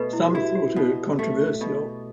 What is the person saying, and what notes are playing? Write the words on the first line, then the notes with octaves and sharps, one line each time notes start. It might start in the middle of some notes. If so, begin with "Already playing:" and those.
Some thought her controversial.
Already playing: B2 A3 A4 B4
E4
G4
E4 F#4
G4
B2
A3
B2